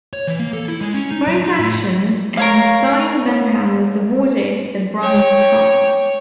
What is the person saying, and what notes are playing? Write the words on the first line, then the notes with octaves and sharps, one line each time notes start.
For his action, Ensign Benham was awarded the Bronze Star.
C#5
E3
A#3
A4
E4
G#3
C#4
D#4
F#3
D#4
A2
A#4 C#5 F5
C#5 G5